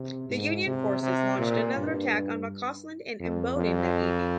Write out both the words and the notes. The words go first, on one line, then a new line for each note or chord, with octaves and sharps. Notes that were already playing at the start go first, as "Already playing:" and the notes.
The Union forces launched another attack on McCausland and Imboden that evening.
Already playing: C3
G#2
C3
C3
A#2
G2
F2
F2